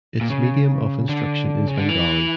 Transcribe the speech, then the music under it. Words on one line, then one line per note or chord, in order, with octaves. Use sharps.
Its medium of instruction is Bengali.
A#2
C#3
D3
C#3
D3
E3